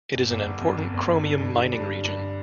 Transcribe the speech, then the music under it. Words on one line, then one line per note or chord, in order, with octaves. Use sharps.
It is an important chromium mining region.
G1
G1
G1
F2
G1
G1
G1
D3
G2
D3
G2
G2
G2